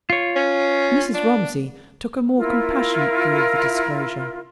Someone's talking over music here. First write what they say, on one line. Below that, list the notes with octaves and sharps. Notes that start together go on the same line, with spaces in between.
Mrs. Romsey took a more compassionate view of the disclosure.
F4 C#5
C#4
D4
E4 F4 A#4 E5